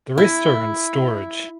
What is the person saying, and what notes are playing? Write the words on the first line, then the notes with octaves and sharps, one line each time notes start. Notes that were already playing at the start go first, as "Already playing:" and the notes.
The rest are in storage.
E4